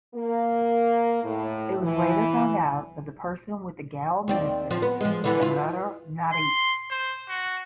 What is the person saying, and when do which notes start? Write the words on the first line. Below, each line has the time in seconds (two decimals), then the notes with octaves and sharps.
It was later found out that the person was the Goa minister Damodar Naik.
0.14 A#3
1.23 A2
1.82 E3
4.28 D#2 C4 D5
4.71 F3
4.82 B3
5.01 F3 G#3
5.24 D3 E3 B3
5.41 E4 F4
6.32 C6
6.90 C5
7.28 F#4